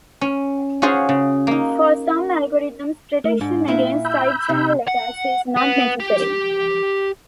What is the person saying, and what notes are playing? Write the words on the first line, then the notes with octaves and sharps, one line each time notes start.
For some algorithms protection against side-channel attacks is not necessary.
C#4
C#4 F4 F#4 G#4 C5 C#5
C#3
A#3 D#4
A3 A#4
G#2 D4
A#2 E4
B5 E6 G6
C3
F#5
B3
G4